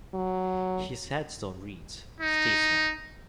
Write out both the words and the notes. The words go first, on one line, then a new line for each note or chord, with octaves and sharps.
His headstone reads, Statesman.
F#3
D#4